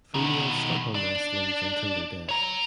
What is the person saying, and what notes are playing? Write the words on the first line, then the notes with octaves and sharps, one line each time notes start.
Females stuck on nestlings until their death.
B2 D#3
D4
C#5 A#5